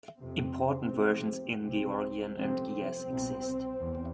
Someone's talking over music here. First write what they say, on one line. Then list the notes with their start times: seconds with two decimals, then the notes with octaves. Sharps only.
Important versions in Georgian and Ge'ez exist.
0.19 F2 C3 C4
0.92 F2 C3
1.63 C2 C3 C4
2.36 F2 C3 C4
2.72 C4
3.07 C2 B2
3.79 E2